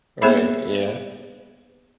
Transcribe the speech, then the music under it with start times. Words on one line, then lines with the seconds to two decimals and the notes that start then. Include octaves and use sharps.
Right, yeah.
0.22 A#3 B3 G#4 C5 E5 B5